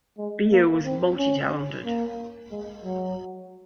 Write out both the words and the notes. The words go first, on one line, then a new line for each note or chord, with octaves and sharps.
Beer was multi-talented.
G#3
A#3
C4
C#4
A#3
G#3
F#3